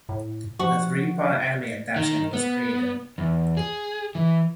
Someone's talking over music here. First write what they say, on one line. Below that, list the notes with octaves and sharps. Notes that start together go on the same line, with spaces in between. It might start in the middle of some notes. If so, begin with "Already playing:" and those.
A three-part anime adaption was created.
A2
F3 F#4
D#3
B3
E2
G#4
E3